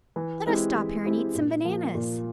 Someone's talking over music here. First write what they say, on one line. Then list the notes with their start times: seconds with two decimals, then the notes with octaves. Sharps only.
Let us stop here and eat some bananas.
0.16 E3
0.46 G#3 C4 E4 G4
0.75 E3
1.05 G#3 C4 E4 G4
1.35 A#2
1.64 F3 A#3
1.94 A#2